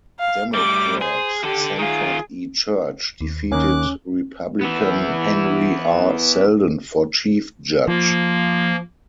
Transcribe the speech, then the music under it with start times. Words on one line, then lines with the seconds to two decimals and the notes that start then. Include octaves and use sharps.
Democrat Sanford E. Church defeated Republican Henry R. Selden for Chief Judge.
0.20 F5
0.54 A2 G3 D6
1.01 G#4 C5
1.43 D3 G4 A4
1.79 D#3 F4 G#4
3.21 D#2
3.52 D#2 D#3 A#3 C#4 D6 F#6
4.61 E3 B3
7.88 F3 A#3